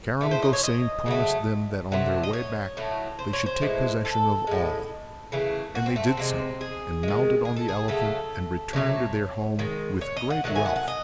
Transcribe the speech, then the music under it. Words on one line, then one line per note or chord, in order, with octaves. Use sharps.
Karam Gosain promised them that on their way back they should take possession of all; and they did so and mounted on the elephant and returned to their home with great wealth.
C#3 E3 A3
C5
D#5
C#5
D#5
C#3 F#3 A3
C3 F#3 A3
D#5
C#5
A2 F#3 A3
C5
C#5
C5
A2 E3 G#3
A4
A2 G#3
C#3 E3 A3
F#4
C4
A3
C4
C3 E3 G#3
G#4
D#3 G#3
G#4
A4
G#4
C#3 F#3 A3 A4
C3 F#3 A3 C#5
D#3 G#3
C#5
D#5
F#5
D#3 F#3 A3 F#5
G#5
F#5
F#5
D#5